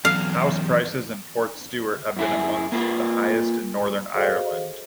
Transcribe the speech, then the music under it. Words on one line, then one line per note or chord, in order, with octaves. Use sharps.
House prices in Portstewart have been amongst the highest in Northern Ireland.
E2 F#3 F5
F#2 E4 G#4
A#3 F4 B4
F#4 G#4 A4 C5 D#5 F5